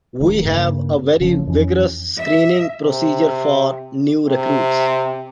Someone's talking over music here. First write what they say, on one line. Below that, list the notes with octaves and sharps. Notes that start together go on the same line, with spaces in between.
We have a very vigorous screening procedure for new recruits.
D#1 D#3 A3
G2 C#3 A#3
F#1 C#3 F3 C#4
F2 E3 C#4
E5
C3
C3